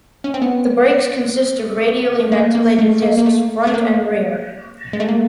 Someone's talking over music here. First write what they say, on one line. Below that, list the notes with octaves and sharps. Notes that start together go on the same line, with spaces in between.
The brakes consist of radially ventilated discs front and rear.
C#4
C4
B3
A3
A#3
A#3
A3
A#3
A#3
A3
A3
A#3
G#3
A3
A#3